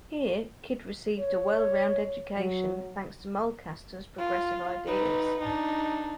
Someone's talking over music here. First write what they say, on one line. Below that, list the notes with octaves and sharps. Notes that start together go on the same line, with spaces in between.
Here, Kyd received a well-rounded education, thanks to Mulcaster's progressive ideas.
C#5
F#3
F4
D#4 B4
D4 D#4